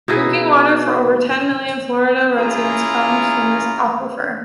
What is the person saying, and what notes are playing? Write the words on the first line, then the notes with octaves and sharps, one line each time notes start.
Drinking water for over ten million Florida residents comes from this aquifer.
B2 D#4 E4 G#4
C#4 E4 F4 G#4 A#5